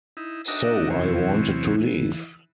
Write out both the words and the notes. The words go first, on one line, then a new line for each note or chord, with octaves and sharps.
So I wanted to leave.
D#4 E4
D4 D#4 F#4 A#4 D#5 E5
E2 C3 E3 F#3 C4 C#4
E3